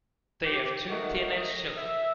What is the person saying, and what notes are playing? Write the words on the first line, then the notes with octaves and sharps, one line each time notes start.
They have two teenage children.
G4
D#3 A3 D#4 F#4
D#5
E5